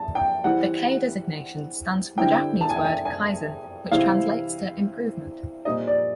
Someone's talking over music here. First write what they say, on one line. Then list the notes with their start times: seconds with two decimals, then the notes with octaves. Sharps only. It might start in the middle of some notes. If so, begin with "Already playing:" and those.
The K designation stands for the Japanese word kaizen which translates to "improvement".
Already playing: A5
0.15 G5
0.44 E3 G3 C4 E4 F#5
2.17 D3 G3 C4 E4 G5
2.61 A5
2.69 G#5
2.76 G5
2.85 G#5
3.05 G#5
3.91 C3 E3 G3 C4 E4 F5
5.65 A#2 G3 C4 D#4 D#5
5.87 D5